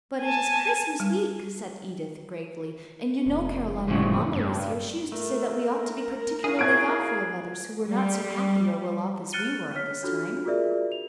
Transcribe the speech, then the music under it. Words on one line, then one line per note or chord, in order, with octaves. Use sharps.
"But it is Christmas week," said Edith gravely, "and you know, Caroline, when Mamma was here she used to say that we ought to be particularly thoughtful of others who were not so happy or well-off as we were at this time."
G#5 A5
G3
F1
F2 A2 C#3
G2
A3 A#4
E4 F#4 G#4 F5
G#6 D7
G3
F6 F#6 A6 C#7 D#7 G7
C#5 F6 B6
D4 F4 F#4 A4 F6
F4 F#4 G#4 A#4 D5 E5
F7